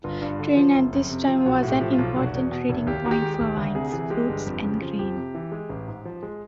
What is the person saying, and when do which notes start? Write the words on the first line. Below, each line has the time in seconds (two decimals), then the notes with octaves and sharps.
Trani at this time was an important trading point for wines, fruits and grain.
0.04 G1 F4
0.22 G2
0.39 D3
0.57 F3
0.75 F#1
0.93 F2
1.10 C3
1.28 F3
1.36 F4
1.46 B1 F#4
1.60 A2 F#4
1.68 G4
1.81 F3
1.93 F4
1.99 B1
2.16 F1 F#4
2.34 E2
2.52 B2
2.69 F1
2.87 D#2 G4
3.05 D#3 F#4
3.11 G4
3.22 G#3
3.34 G4
3.40 D#2
3.57 D2
3.75 C3 G#4
3.92 E3 G#4
4.10 G#3 G4
4.29 G1
4.47 F2
4.64 C#3
4.82 F3
4.99 F2 G4
5.16 C3
5.35 E3
5.52 G#3
5.69 A1
5.88 G#2
6.05 F3
6.23 G#3